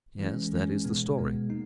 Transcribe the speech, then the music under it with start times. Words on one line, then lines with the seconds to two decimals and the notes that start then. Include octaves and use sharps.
"Yes, that is the story."
0.19 E3 G#3 C#4
0.52 E3 G#3 C#4
0.85 B2 G#3 B3
1.18 B2 G#3 B3
1.50 A#3 D#4